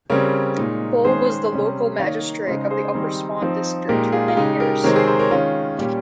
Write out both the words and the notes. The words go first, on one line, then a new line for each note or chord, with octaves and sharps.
Bull was the local magistrate of the Upper Swan district for many years.
C#3 G3 C4 A#4 C#5
A#2 G#3 D#4
D#3 G#3 C#4 G#4 C5
C3 G3 C#4
D#3 A#3 D#4 C#5 F5
C#3 G#3 D#4 C5 D#5
G#4 C5
D#3 G3 C4 D#4
F3 C4 D#4
A#2 G#3 D#4 G4 A#4
F4 G#4
F4
C#3 G#3 D#4 G4
G4 A#4
C3 D#3 G#3 C4 A#4 C#5
G#4 C5
G#4 C5
A#4 C#5
D#3 G#3 C#4 F4
A#2 G3 C#4 G4